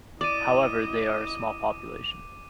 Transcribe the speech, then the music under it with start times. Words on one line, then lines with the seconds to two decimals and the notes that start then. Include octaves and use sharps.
However, they are a small population.
0.21 E4 D5 D#5 D6 D#7